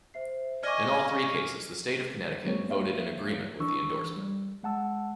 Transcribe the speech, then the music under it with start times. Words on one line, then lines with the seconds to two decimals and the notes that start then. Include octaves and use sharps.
In all three cases, the state of Connecticut voted in agreement with the endorsement.
0.14 C5 E5 C7
0.63 D5 D#5 G#5 C#6 D6 F6
2.45 F#3 G#3 A#3 C4 C#5
2.69 A#3 C#5 E5 F5
3.60 E3 D4 C#6 E6
4.17 G3
4.63 G#3 F#5 A5 E6